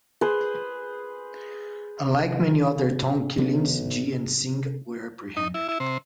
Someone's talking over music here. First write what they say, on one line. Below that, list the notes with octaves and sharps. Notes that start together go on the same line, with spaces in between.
Unlike many other Tong killings, Gee and Sing were apprehended.
G#4 B4 C5
B1 C#3 B3
D#4
E4
E4
C3